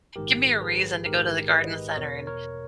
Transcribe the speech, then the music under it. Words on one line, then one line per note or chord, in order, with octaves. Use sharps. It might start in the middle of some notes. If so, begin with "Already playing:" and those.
give me a reason to go to the garden center and
A#1 G#2 D#3 G4 A#4
G#4 B4
A#1 G#2 D#3 G4 A#4
B4 D#5
D#5
E2 B2 A#4 C#5
A#4 C#5